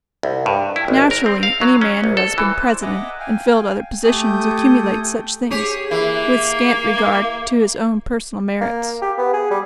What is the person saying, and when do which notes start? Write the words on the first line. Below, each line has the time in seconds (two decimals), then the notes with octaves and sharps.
Naturally, any man who has been President, and filled other positions, accumulates such things, with scant regard to his own personal merits.
0.23 C2
0.46 G2
0.76 E4
0.88 G#1
1.11 A#4
1.26 C4
1.43 F5
1.61 F#3
1.81 C#4
2.04 A#1
2.17 A4
2.38 E3
2.59 C5
2.82 D#5 E5 F#5 G#5 A#5 D6
3.20 F5 G5 G#5
4.04 A3 G4 A4 G#5 D#6 G6
5.51 G4 G#4 C#5
5.91 E3 A#3
8.61 A#3
9.02 G4
9.18 B3
9.33 G#4
9.51 G3